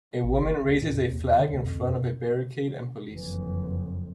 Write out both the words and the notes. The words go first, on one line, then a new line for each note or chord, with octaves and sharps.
A woman raises a flag in front of a barricade and police.
A1
F#1
C#3
D2
A#2
F2
D#2
E2
D3
D2
F2
F#2
F#1 F2 E3